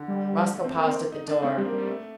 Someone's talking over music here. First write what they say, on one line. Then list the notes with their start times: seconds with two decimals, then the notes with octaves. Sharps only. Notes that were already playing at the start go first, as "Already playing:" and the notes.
Roscoe paused at the door.
Already playing: D3
0.08 G3
0.53 A3
0.64 C4
0.76 A#3
0.87 C4
1.12 D#4
1.28 D4
1.42 A3 C4
1.58 G3
1.65 A#3
1.73 G3
1.87 A3